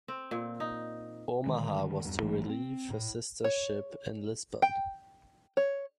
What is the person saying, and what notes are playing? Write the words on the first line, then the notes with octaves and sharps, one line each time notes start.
"Omaha" was to relieve her sister ship in Lisbon.
C4
A#2
D#4
D3 D#3 G#3
E2 G2
A1 E3 F#3 A3
C4
A2
C#5
G5
C#5